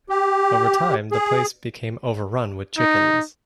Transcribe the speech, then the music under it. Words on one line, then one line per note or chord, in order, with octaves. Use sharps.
Over time the place became overrun with chickens.
G4
G#4
D#4